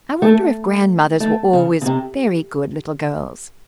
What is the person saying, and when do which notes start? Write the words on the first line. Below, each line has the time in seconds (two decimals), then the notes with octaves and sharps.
"I wonder if grandmothers were always very good little girls?"
0.22 A3
1.20 A3
1.53 C#3
1.81 C#3
1.86 C3